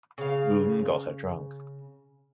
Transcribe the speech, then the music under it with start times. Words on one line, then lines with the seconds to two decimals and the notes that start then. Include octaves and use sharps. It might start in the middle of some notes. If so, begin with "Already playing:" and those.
Rhun got her drunk.
0.18 C#3 F5